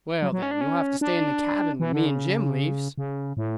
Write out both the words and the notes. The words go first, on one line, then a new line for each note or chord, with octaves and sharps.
"Well, then, you'll have to stay in the cabin when me and Jim leaves."
F#3
F#3
C#4
D4
C#4
D4
E3
D3
C#3
C#3
A2